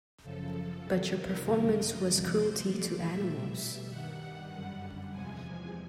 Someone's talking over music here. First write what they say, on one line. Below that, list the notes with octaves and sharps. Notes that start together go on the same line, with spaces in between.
But your performance was cruelty to animals.
F#2 C#3 F3 A4
F2 C3 D#3 F#3
A#4
F#2 D3 G3 A#4
D#5
E2 C3 F3 D5
C5
A#2 F3 A3 D5
E5
B2 G3
G2 D#3 G3 F#5
F#2 D3 G3
E2 C3 F3 G#3 G#5